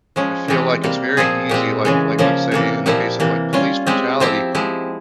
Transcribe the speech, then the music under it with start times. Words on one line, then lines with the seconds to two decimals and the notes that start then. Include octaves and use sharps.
I feel like it's very easy, like like, let's say in the case of like police brutality
0.16 F3 G#3 C#4
0.48 E3 G#3 C4 G4
0.83 C3 G3 A#3
1.17 A#2 F3 C4 F4 G#4
1.49 A#2 G#3 C4 G4
1.85 C#3 E3 G#3
2.18 C#3 F3 A#3
2.52 C3 E3 A#3
2.86 A#2 F3 A#3 E4 G4
3.20 C3 E3 A#3
3.53 G3 C#4 F4
3.86 G#3 C4 G4
4.20 F3 C4 E4 G4
4.55 F3 G#3 E4 G4